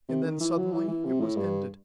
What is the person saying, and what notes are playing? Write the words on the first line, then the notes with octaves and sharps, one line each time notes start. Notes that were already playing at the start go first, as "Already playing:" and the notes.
And then suddenly it was ended.
C3
D#3
E3
F#3
E3
E3
C3
A2
G2